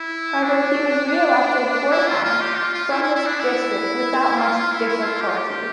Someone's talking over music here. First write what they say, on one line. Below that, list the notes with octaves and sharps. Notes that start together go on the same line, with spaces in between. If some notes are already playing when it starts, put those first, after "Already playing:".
However, he was reelected four times from this district without much difficulty.
Already playing: E4
D4
E4
F4
F4
G4
F4
F4
E4
E4
E4
D4
E4
F4
F4
E4
E4
F4
G4
F4
G4